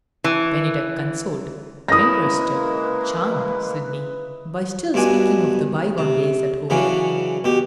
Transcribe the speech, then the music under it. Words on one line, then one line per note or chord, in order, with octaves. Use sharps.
Bennydeck consoled, interested, charmed Sydney, by still speaking of the bygone days at home.
E3
G#3 A#3 C#4 E4 B4 D#6 A#6
G2 B2 D4 G#5
C3
C#3 E3 F#3 C#4 D4
B2 G4